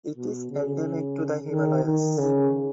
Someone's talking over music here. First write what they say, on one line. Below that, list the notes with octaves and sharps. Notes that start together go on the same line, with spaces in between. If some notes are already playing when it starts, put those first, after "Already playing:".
It is endemic to the Himalayas.
B2
C#3
D#3
D#3
C#3